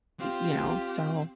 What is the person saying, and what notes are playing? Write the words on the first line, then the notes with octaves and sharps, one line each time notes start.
you know? So,
C4 F4 G4